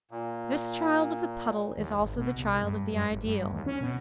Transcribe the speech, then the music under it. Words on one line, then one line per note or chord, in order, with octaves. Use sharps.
This child of the puddle is also the child of the ideal.
A#2
D#2
G#1
B2
C2
G2
G2
G#1
G2
D#2
C#4
B2